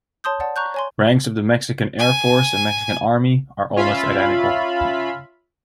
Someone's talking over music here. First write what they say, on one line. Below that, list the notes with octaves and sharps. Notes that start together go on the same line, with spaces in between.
Ranks of the Mexican Air Force and Mexican Army are almost identical.
C#5 A5 C6 D#6 G6
D5 F#5 A5
A#5 C#6 F#6 G6
C#5 G#5 C6
G#5
C#4 F4 E5 F5 B5